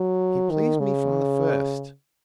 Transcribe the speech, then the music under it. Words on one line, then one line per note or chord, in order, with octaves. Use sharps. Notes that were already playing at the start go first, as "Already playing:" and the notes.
He pleased me from the first.
Already playing: F#3
D#3
C#3